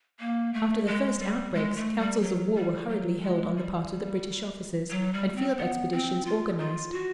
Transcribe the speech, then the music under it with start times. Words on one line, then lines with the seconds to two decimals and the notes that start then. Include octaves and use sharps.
After the first outbreaks, councils of war were hurriedly held on the part of the British officers, and field expeditions organized.
0.20 A#3
0.53 A3
0.87 G#3
1.20 G3
1.54 G#3
1.76 A3
1.99 G3
2.21 F#3
2.55 G3
2.89 F#3
3.22 G#3
3.56 G3
4.91 F#3
5.13 G3
5.36 C4
5.57 B3
5.92 C4
6.25 F4
6.58 F4
6.92 F#4